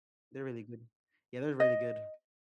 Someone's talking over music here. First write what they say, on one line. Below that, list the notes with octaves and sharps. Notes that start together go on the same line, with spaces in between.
they're really good. Yeah, they're really good.
D#5